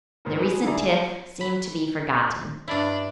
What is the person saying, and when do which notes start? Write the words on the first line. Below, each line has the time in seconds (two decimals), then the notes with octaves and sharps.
Their recent tiff seemed to be forgotten.
0.25 C#2 G#2 A#3
0.39 B3 G#4
0.52 F#3 B3 G#4
0.63 D3 E4 G#4 D5 A#5
1.41 B5
2.68 G2 D4 E4